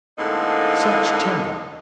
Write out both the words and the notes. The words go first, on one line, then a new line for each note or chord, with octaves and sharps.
Such timber!
A2 D3 G#3 A#3 C4 D#4